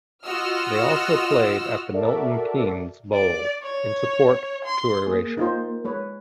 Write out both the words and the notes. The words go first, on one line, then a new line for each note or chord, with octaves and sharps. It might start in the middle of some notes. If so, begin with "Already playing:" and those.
They also played at the Milton Keynes Bowl in support to Erasure.
F4 F#4 D#5 F#5 E6 F6
F#4 A4 A#4 D5 E5
D5
C#5
C6
A#3 G#4
D#4 F4 C5
G#3 B4 C#5